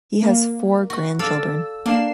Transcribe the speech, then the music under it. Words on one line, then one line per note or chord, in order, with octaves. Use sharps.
He has four grandchildren.
A#3
F#4
A4 D5 F5 E6
A#3 D4 C7 E7